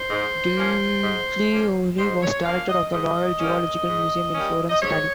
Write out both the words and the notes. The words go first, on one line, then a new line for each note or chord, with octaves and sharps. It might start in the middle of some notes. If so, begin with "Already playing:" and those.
Giglioli was director of the Royal Zoological Museum in Florence, Italy.
Already playing: C5
G#2
F3 A#3 C#4
G#2
F3 A#3 C#4
G#2 C5
C#5
F3 A#3 C#4 F5
D#5
G#2 D#5
G3 A#3 C#4
G#2
G3 A#3 C#4
D#5
G#2 C#5